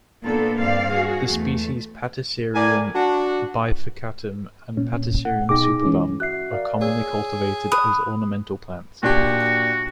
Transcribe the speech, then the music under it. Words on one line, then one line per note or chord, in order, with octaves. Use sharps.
The species "Platycerium bifurcatum" and "Platycerium superbum" are commonly cultivated as ornamental plants.
A#2 A#3 B3 D4 A4
G2 C4 D5 F5
F#4 G#4
E2 A3
A2 A#4 D5 G#5
D4 F#4
A#2 C#4
F#5
B2 D#4 G#4 G5 D6 A#6
E3 G#3 C#4
F#4 E5 F#6 C7
A#4 D5 F5
G#4 C#5 E6
B5 D#6 F#6
A#2 D4 F#4 G4